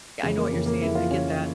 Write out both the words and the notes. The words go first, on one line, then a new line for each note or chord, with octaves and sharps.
I know what you're saying, I get that.
F2 C#3 E3
A#3
F2 C#3 E3
A#3
F2 C#3 E3 E4
F4
F2 C#3 E3 C#4